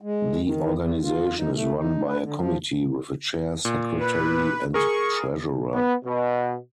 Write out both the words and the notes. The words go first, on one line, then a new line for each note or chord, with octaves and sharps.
The organization is run by a committee with a chair, secretary and treasurer.
G#3
D#3
E2
F4
D#4
A3
D#4
B4
D3
F3
A#2
B4
G#4 A#4 C#6
B3
B2